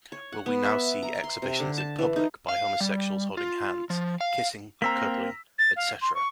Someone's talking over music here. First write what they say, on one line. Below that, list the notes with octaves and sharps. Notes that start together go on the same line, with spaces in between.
Will we now see exhibitions in public by homosexuals holding hands, kissing, cuddling, etc?
C#5
F#5
B3
E5
A#5
C6
C3
D3
A5
E3
D#4
F5
G3
F4
F3
F5
A#3 C4 A#4 A#5 E6 B6
A6
F5
C6
C#6